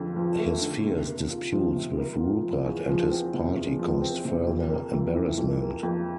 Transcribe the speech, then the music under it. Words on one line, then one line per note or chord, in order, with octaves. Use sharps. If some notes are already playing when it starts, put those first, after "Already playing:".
His fierce disputes with Rupert and his party caused further embarrassment.
Already playing: F2 D3
F3
A3
D3
C3
A#3
F4
F3
C3
A#3
F4
F3
E2
F3
C4
C3
E2
F3
C4
C3
F2
A#3
F2
E3
F2
A#3
F2